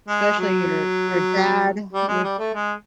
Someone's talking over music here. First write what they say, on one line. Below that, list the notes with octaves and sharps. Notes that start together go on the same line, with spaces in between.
especially your your dad, your
G#3
F#3
G3
G#3
G3
A3
G#3